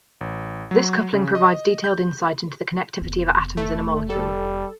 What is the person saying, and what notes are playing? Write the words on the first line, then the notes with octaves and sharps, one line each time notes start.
This coupling provides detailed insight into the connectivity of atoms in a molecule.
A1
F#3
C#3
D#5
G6
F1 B3
A3
G3 A4